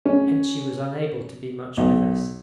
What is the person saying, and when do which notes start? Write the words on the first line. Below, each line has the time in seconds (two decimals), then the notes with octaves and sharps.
Hence she was unable to be much with us.
0.05 C#4
1.77 B1